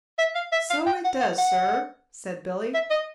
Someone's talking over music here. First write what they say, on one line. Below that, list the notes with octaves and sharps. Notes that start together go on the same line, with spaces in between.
"So it does, sir," said Billy.
E5
F5
E5
F5
G5
F#5
F#5
F#5
E5
D#5